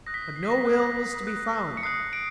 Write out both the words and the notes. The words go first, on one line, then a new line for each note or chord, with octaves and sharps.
But no will was to be found.
D#6 F#6 A#6
B6
A#6
C7
B6
A#6
B6
D#6 F#6
D#6 F#6
C#7
D#6 F#6 C7
D7